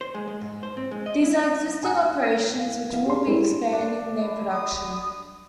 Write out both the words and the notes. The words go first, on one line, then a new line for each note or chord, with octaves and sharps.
These are existing operations which will be expanding their production.
C5
G#3
G#3
G#2
C5
C4
G#3
D#5
E4
G#5 A#5 D#6 F#6
F5
B3 F5
G4 G#4 C6
G3 G#3 D4 E4 G4 A#4
D4
D#6